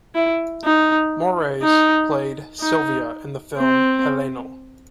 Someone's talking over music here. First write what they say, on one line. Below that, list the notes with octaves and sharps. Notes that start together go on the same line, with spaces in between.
Moraes played Silvia in the film "Heleno".
E4
D#4
D#4
D#4
C4